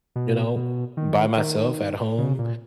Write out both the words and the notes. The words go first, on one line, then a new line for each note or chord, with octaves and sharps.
you know, by myself at home,
B2
B2
D#3
D#3
C#3
A#2